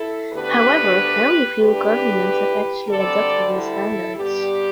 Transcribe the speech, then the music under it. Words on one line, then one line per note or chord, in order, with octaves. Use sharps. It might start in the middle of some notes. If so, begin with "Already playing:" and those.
However, very few governments have actually adopted the standards.
Already playing: E4 A4
D2 D3 B3 D4 G4 B4
E2 D3 A3 D4 G4 B4
D2 D3 G3 A4 D5
E4 A4
G2 G3 B3 G4